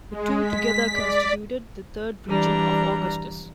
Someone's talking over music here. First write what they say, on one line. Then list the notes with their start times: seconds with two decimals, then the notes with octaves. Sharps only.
The two together constituted the third region of Augustus.
0.10 G#3
0.40 B6
0.90 D5
2.28 E3 G3 D4 A#5